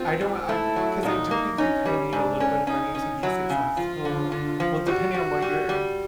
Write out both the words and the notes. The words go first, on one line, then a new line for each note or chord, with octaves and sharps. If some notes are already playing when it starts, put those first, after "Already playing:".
I don't I 'cause I do think you kinda need a little bit of money to be successful well, depending on what your
Already playing: C4 F4
G#2
A3 E4
F#3
A#2 D#4
A#3
C#4 D#4
G3
G#2 D4
C#4
C#4 D#4
C#4
F#3 E4
C#3
F3 F4
D3
D3
F3
G3 F#4
G3
G3
G3